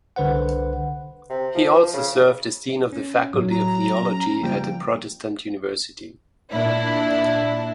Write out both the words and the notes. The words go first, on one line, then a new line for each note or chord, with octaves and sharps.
He also served as dean of the Faculty of Theology at the Protestant University.
C2 D3 B4 C5 F#5
C3
F3
C#3
C#4
A2 F#3
A#5
C#4
C#3 F3 G3 A#3 G5
A#2 D4 E4